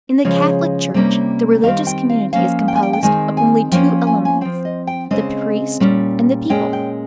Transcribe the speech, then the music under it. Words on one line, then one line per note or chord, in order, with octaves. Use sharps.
In the Catholic Church, the religious community is composed of only two elements, the priest and the people.
C#3 F3 G#3 C#5
C3 G3 A#3 C#4
D#3 G3 C4 F5
G5
F5
F3 A#3 C#4 F5
G5
G#5
G5
G5
D#3 G#3 C4 G#5
G#5
F3 A#3 C#4 G5
G#5
G#5
F3 C4 G5
D#5
G5
C#3 G#3 C4 D#5
A#2 G3 C#4
A#2 G#3 C#4 G5
G5